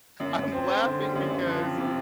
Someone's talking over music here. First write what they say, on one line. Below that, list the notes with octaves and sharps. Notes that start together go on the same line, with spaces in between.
I'm laughing because
F#2
F#2
C4
C4
D3
G3
F#2
F#2
F3
C3
C3